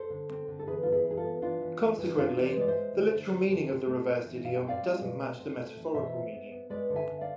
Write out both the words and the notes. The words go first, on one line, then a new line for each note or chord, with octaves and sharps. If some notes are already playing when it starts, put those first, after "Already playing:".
Consequently, the literal meaning of the reversed idiom doesn't match the metaphorical meaning.
Already playing: A4 C5
D3
C4
D3
A4
E3 G#4 B4
B3 F4
E4 G#4
E3
G#4
F4 A4
B3
E3 D4 F4
E3
E3
E3
C4 D4 F4
E3
B4 D5
C5
G#3 D5
C5 E5
G#3
D3
D3
C4
D3
C4
A3
C4
E3
B2 F5
G#5
C4
D5 F5
G#3
B2
A3
C4
A3
E3
B2 C5 E5
B3
B3
B3
G#3 B4 D5
D3
E5 G#5
D3
D5 F5